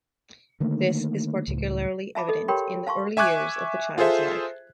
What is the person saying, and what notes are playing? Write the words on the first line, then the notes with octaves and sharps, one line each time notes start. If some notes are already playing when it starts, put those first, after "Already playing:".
This is particularly evident in the early years of the child's life.
D3 D#3 A3 A#3
C#2 A2
E5 A5 B5 D6
A4 D#5
G4 A#4 C#5 G5 B5 C6
F5 A5 C6 C#6
E5 G#5 C#6 D6 F#6 G#6
F4 G#4 A4 C5 E5